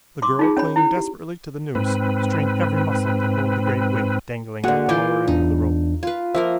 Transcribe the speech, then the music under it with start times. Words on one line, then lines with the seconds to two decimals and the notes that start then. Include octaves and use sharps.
The girl, clinging desperately to the noose, strained every muscle to hold the great weight dangling at the lower end of the rope.
0.22 C6 D6
0.39 D#4 F4 G#4
0.57 C#4 C#5 B5
0.76 E4
0.97 G4
1.75 G#2 C4 B4
4.64 D3 G#3 A#3 F#4 F#5
4.89 E3 E4 F4 D6 G6
5.28 E2 D4 D#4
6.03 F4 B4
6.35 F3 A#3 A#4 E5